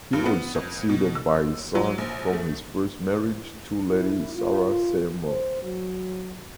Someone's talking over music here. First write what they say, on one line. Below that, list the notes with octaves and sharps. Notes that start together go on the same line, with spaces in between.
He was succeeded by his son from his first marriage to Lady Sarah Seymour.
G2
B3
F2
B2
E6
F#3
A#1
A3
E4
F4
C5
F#3